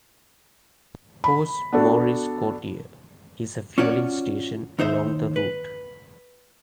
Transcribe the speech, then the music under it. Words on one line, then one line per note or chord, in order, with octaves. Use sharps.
Poste Maurice Cortier is a fueling station along the route.
B5
B3 D4 F#4 A4
C#4 F4 F#4 C#5 D5
D#2 D#4 C5 E5
B4